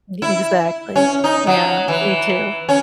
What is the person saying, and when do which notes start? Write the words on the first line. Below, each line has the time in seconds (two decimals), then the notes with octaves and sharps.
Ye Exactly, yeah, me too.
0.22 E4
0.96 C#4
1.24 D#4
1.47 F#3
1.88 E3
2.69 C#4